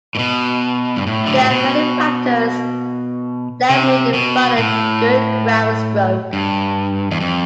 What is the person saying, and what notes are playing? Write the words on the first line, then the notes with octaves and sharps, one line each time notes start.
There are many factors that may define a good groundstroke.
A2
B2
G2
A2
D3
C3
B2
C3
B2
A2
G2
E2
F2